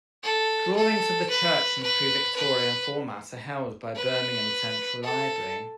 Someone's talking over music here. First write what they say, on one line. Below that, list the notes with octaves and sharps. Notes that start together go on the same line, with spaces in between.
Drawings of the church in the pre-Victorian format are held by Birmingham Central Library.
A4
A4
B4
B4
B4
B4
A4